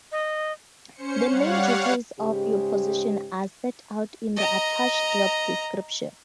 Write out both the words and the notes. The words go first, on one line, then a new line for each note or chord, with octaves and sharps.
The main duties of your position are set out in the attached job description.
D#5
C#4 C5 C#7
G3 C#5 F5 F#5
G#2 C#3 G#3 G4
D#5 A#5